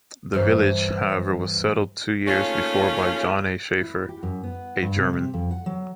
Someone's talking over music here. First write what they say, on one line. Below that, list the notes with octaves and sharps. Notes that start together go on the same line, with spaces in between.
The village, however was settled two years before by John A. Shaeffer, a German.
G2 E3 C5 C#5
D#2 A3 C#4 F4 G#4 F5
E4
G4
F#2
B3
G2
C3
C3
F2
F#5
F#3